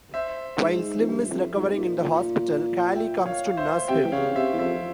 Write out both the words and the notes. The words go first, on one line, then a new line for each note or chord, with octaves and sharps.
While Slim is recovering in the hospital, Cally comes to nurse him.
C5 E5
G#2
F2
G2
F2
G#2
A#2
E5 G5
C#5 F5
C5 E5
C3 E5 G5
E3
C#3 C#5 F5
C3 C5 E5
E2
F2 C5 E5